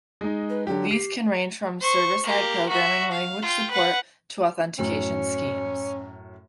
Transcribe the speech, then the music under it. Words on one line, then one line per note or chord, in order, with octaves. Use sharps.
These can range from server-side programming language support to authentication schemes.
G#3 D#4
B4
D3 F#3 G4
G4 C7
C5 C#6
A#3 G4
F#4 E5
F5
F4 G5
B4 F#5
F#2 A2 C#4